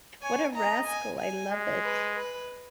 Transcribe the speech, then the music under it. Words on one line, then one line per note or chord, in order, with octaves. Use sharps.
What a rascal. I love it.
C#5 G#5
D#5 A#5
G#5
G#5
G#3
B4
B4